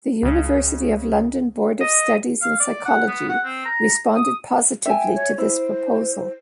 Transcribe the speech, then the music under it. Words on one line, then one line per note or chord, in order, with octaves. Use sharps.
The University of London Board of Studies in Psychology responded positively to this proposal.
C#2 C#3
D#5
F5
D5
F#5
B3
F#5
C4
A#5
D#6
E5 G5 G#5
C#5
E4 C5